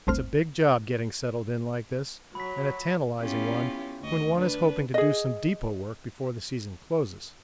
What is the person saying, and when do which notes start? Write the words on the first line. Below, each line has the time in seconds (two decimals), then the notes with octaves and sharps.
It's a big job getting settled in like this and a tantalising one when one is hoping to do some depot work before the season closes.
0.07 G1 D2 A3 C4 C5 F6
2.35 F#3 B5 B6
3.20 B3 C#4 E4 F4 G4
4.03 D2 D#5 C#6
4.35 D4 B4
4.94 G#4 D#5